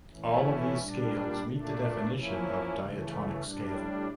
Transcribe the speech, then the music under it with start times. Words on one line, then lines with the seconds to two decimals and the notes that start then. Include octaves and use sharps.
All these scales meet the definition of diatonic scale.
0.12 A2 E3 A3 C#4 E4
0.77 A#2 G3 D4
1.44 A#2 A3 D4
2.09 F3 A#3 C#4 E4
2.75 C#3 E3 A3
3.41 A2 G3 D4